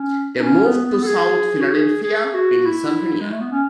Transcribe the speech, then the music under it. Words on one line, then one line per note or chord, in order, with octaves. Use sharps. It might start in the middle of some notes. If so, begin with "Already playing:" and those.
They moved to south Philadelphia, Pennsylvania.
Already playing: C#4
D#4
C#4
B3
B3
A4
G#4
F#4
G#4
G#4
F#4
E4
G#3
A3
B3
C#4